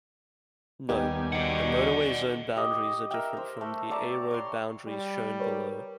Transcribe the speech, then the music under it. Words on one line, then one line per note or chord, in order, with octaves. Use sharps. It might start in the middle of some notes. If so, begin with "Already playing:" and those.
Note: The motorway zone boundaries are different from the A-road boundaries shown below.
D#2 G3 B3 D#4 G4 G#5
F#4 D5 D#5 F#5
G4 D#5
A#4 E5 G5
C5
A3
C#5 D5 A5 A#5
C#5 C6
G3
A#4 B4 C#5